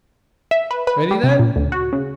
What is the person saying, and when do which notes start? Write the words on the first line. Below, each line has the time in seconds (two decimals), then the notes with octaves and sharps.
"Ready then!"
0.51 E5
0.71 B4
0.87 B4
1.11 G3
1.23 C3
1.39 A#2
1.56 D2
1.72 F#4
1.93 C#3